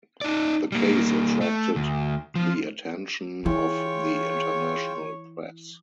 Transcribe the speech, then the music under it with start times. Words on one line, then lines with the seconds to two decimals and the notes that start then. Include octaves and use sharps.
The case attracted the attention of the international press.
0.21 D#4 D5
0.72 G3 A#3
1.41 A3
1.76 D2
2.35 F3
3.46 E3 F4 G#4 C#5 G5